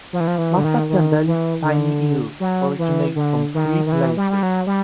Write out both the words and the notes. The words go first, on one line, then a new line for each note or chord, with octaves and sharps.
Mastacembelid Spiny eels originate from three places.
F3
E3
F3
E3
D3
D#3
D#3
E3
D3
F#3
E3
D3
D#3
D#3
E3
G3
G3
F#3
G3